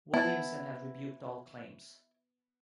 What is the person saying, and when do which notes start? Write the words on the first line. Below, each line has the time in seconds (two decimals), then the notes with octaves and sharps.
Williamson has rebuked all claims.
0.14 B3 E4 A5